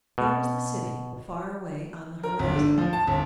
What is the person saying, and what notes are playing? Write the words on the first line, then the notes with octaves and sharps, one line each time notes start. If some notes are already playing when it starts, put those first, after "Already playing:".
There was the city far away on the horizon.
B2
A#4
G1
D3
F3
A5
G1